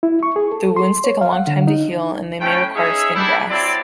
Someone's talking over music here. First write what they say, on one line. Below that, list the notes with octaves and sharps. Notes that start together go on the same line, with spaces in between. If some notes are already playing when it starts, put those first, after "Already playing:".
The wounds take a long time to heal and they may require skin grafts.
E4
C#6
G#4
A4
C6
C#5
F5
F#5
D3
D#4
A2 A3 C#4 G5
C#4 D#4 G#4 E5
G3 D4 E4
F#3 C4 E4 D5